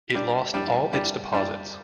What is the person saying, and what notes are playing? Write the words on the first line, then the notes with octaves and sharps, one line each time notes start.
It lost all its deposits.
G3 D4 G4 D5
G3 D4 G4 D5
G3 D4 G4 D5
G3 D4 G4 D5